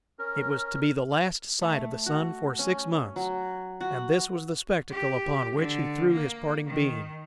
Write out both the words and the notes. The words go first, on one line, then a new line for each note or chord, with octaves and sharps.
It was to be the last sight of the sun for six months, and this was the spectacle upon which he threw his parting beam.
C#4 A#4
A3
F#4
C#4
F#3
F#4
G4
D3
A#3
D#3